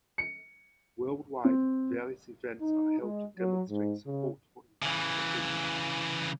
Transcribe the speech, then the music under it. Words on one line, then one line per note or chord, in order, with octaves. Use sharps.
Worldwide, various events are held to demonstrate support for environmental protection.
C#7
C4
D#4
G#3
F#3
G#2
C#3
C#3 E3